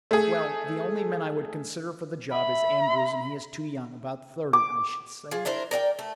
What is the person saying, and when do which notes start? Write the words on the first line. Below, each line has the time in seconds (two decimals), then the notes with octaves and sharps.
"Well, the only man I would consider for the job is Andrews and he is too young--about thirty, I should say."
0.11 A3 G#4
2.32 E5 B5
4.53 D6
5.31 F4 G#4
5.45 D4 E4 A#4 C5
5.71 A#4 D5 F5 G5
5.99 A3